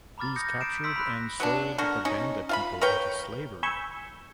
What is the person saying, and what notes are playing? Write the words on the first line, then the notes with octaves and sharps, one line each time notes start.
These captured and sold the Banda people into slavery.
A#5 B5 D6 F6 A6
D#6 G6 A#6 C#7
C7 D7 E7
C6 E6 F6 B6
B5 F#6
F#3 B3 D4
D3 F#4 A#4
C#4 D#4
F4 F5 B5
A#4 B4 C#5 G5
G#5 B5 C#6 E6 G6 G#6